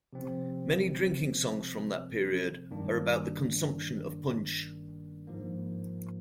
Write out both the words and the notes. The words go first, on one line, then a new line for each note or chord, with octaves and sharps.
Many drinking songs from that period are about the consumption of punsch.
C3 F3 C4
G#1 G2 D#3 A#3 D4
G#2 F3 A#3